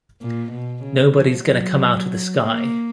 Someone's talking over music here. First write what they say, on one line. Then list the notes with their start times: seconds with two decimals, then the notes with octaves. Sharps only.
Nobody's gonna come out of the sky!
0.21 A#2
0.52 B2
0.83 C#3
1.14 F3
1.45 F#3
2.38 A#3